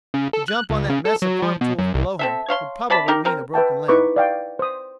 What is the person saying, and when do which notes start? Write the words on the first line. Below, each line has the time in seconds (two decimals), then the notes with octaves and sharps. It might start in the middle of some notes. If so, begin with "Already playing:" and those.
To jump on that mess of farm tools below him would probably mean a broken leg.
0.14 C#3
0.33 A4
0.48 F#6
0.70 C#2
0.90 C#3
1.05 A4
1.22 F#3
1.42 F3
1.61 B2
1.79 F#2
1.94 C2
2.19 C4 A4 E5
2.48 C#5 F5 C6
2.90 C3 D5 A5 B5
3.08 D#4 G4 A#4
3.25 C4 A#4
3.54 B4 E5 G5 A5
3.88 D#4 E4 B4 C#6 D6
4.16 D5 F5 G5
4.59 C5 D#6